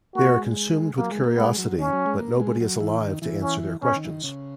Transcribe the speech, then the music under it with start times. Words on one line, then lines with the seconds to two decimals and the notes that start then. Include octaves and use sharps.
They are consumed with curiosity, but nobody is alive to answer their questions.
0.15 A#3 F#4
0.36 G#3
0.97 F#3 A#3
1.11 G#3
1.24 A#3
1.37 G#3 B3
1.58 F#3
1.79 D#3 C#4
1.93 F#3
2.06 G#3
2.20 A#3
2.40 G#3
2.60 F#3
2.80 E3
3.00 D#3
3.22 E3
3.42 C#4
3.82 B2 C#4
3.96 D#3
4.05 E3
4.10 D#3
4.24 C#3